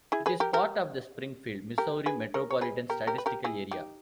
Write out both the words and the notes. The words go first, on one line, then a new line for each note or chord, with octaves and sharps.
It is part of the Springfield, Missouri Metropolitan Statistical Area.
E4 G#4
G#4 B4
G4 A#4
G4 A#4
G4 A#4
G#4 B4
A#4 C#5
C#5
G#4 B4
G4 A#4
G4 A#4
B4
G4 A#4
E4 G#4
D#4 G4